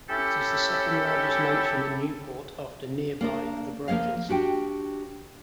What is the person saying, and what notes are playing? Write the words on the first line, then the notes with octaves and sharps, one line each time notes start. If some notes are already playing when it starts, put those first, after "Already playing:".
It is the second largest mansion in Newport after nearby The Breakers.
C#4 E4 G4 A4
A#3 D4 A#4
F3 A#3 B3 D#5 F5
D4 F#4 G4 G5